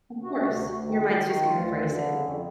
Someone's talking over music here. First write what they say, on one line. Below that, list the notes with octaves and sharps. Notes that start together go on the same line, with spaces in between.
Of course, your mind's just kind of racing.
C3 F#4
D2
F#4
D2
D#3
F4
D#3
F4
D#3
F#4
D2 F4
D3
D3
C#3
F2